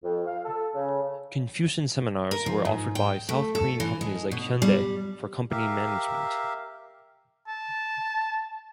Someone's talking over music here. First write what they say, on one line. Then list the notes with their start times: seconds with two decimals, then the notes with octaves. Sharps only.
Confucian seminars were offered by South Korean companies like Hyundai for company management.
0.04 F2
0.26 F5
0.44 A4
0.74 C#3
2.31 A#4
2.46 F3
2.65 G#2
2.95 G5
3.29 A3
3.55 A4
3.80 E3
4.01 G#3
4.31 B2
4.62 G3
5.51 G4 A#4 E5 F5
7.48 A5